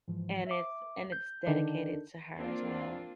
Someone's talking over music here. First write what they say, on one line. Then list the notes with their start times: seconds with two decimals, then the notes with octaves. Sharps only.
and it's and it's dedicated to her as well.
0.08 G#2 E3 F3
0.47 E5 D6
1.12 G6
1.47 D3 D#3 D4
2.36 A#3 C4 D4 F4